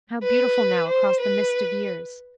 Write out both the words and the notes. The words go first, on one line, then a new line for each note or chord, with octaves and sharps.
How beautiful now across the mist of years!
B4
C5
B4